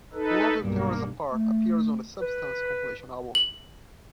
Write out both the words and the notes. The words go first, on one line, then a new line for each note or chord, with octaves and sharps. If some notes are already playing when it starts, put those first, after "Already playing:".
"Love Will Tear Us Apart" appears on the "Substance" compilation album.
D#4 A4 B4
B1 G2 A#3
A3
B4
F#7